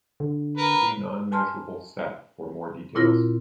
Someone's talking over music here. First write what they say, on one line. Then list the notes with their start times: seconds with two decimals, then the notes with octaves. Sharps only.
See non-measurable set for more details.
0.20 D3
0.58 A#4 B4
1.32 G#5 A5 C6 F6
2.95 A#2 C4 E4 F4 A#4 A#6